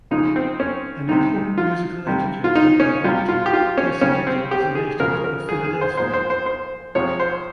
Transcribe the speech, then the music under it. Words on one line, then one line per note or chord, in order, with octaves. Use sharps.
An important musical educator and writer, Persichetti was a native of Philadelphia.
C#3 F3 G#3 D#4
C4
C#4
C3 G3 D#4
F4
C3 G3
F4
D#4
C#4
C3 G3 F4
F4
G4
F4
C#4
C#3 G3 C#4
C4
G4
G#4
C#3 F3 G#3 A#4
A#4
G#4
G#4
C5
A#2 F3 G#3 C5
C5
C5
C5
C3 F3 G#3 C#5
C5